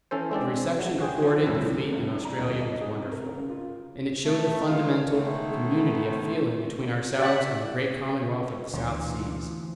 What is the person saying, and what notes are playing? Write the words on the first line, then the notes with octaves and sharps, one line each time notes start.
The reception accorded the fleet in Australia was wonderful, and it showed the fundamental community of feeling between ourselves and the great commonwealth of the South Seas.
E3 C#4 A4 C5
G#3 C4 D4 D5
F#3
F#4 G#4 C5 G5
F3
C2 F2 A2
G1
D4
A#5
D#1
D#5
G#4
C3
A#4
C#3
F4
A3
G2 A#2 D#3 G3 G#3 F4
B2 D#3 G#3 A3
G4 D5 E5 F#5
D2 B2 E3 F3